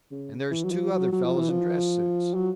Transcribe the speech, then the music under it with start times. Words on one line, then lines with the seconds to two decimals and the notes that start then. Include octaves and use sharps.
And there's two other fellows in dress suits.
0.11 C#3
0.51 E3
0.64 F#3
0.71 F3
0.92 F#3
1.12 F#3
1.25 F3
1.37 E3
1.49 F3
2.34 F#3